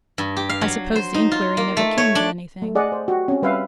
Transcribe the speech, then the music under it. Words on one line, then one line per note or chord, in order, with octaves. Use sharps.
I suppose the inquiry never came to anything.'
G2
G4
F5
F#3
C5
D#4
F4
A#3
A3
C#5
D4
A3
G#4 D5 D#5 F#5
C5
F#4 G4
C4 C#4
G3 B4 E5 F5